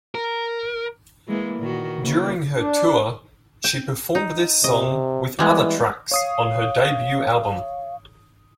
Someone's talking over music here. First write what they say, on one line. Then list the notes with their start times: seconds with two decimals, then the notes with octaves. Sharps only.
During her tour, she performed this song with other tracks on her debut album.
0.15 A#4
1.28 E3 G#3 A#3
1.59 A#2 D#3 F#4
2.01 C#3 E3 A#3
2.57 D4
3.64 G5
4.15 D#4
4.64 C3 D#5
5.39 E3 G3 G#3 B3
6.11 C#5 F5 D#6 C7